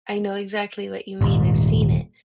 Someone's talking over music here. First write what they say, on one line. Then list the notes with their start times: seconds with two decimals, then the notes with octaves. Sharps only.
I know exactly what you mean, I've seen it,
1.21 D#1 G#2